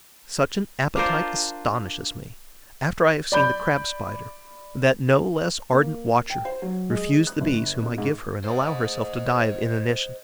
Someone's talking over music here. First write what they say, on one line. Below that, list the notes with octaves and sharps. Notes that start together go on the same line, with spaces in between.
Such an appetite astonishes me, after I have seen the Crab Spider, that no less ardent watcher, refuse the Bees whom I give her and allow herself to die of inanition.
D4 F4 A#4 C5
D5 B5 G6
A#3
G5
C5
F#3
G#3
F#6
G1
B2
G#2
C5 D#5